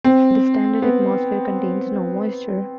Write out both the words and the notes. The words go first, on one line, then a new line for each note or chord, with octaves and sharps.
The standard atmosphere contains no moisture.
C4
B3